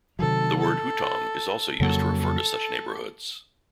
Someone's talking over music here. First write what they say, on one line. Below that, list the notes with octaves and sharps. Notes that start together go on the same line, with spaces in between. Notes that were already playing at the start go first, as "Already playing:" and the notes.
The word hutong is also used to refer to such neighbourhoods.
C3 D#3 F#3 A4
A4
F2 C#3 F#3 A#3 A4
A4